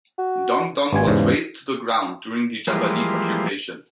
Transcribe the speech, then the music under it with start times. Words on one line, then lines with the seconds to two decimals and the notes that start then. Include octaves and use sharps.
Dongdung was razed to the ground during the Japanese occupation.
0.18 F#4
0.93 G#1 G2 G#5
1.07 E2 G#2 C#3
2.67 E3 F3 G3 G#3 A#3 C5